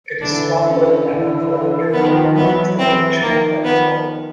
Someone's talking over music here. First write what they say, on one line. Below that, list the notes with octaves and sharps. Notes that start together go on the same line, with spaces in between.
It is run by Vattenfall Europe, a subdivision of Vattenfall.
D3 E3 D4
C#4
D3 E3
D#3 F3 B3
E3 F#3 B3
E3 F#3 C4
D#3 F3 A#3
B3